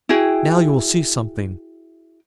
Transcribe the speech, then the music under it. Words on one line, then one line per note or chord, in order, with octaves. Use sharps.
Now you will see something.
E4 F#4 G#4 G5